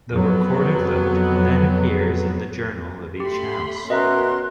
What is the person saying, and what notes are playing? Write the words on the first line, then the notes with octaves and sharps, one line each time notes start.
The recorded vote then appears in the journal of each house.
F2 F#3 B3
A3 G4 B5 C6
B2 C#4 A#4 D#5 E5 A#5 C6 F#6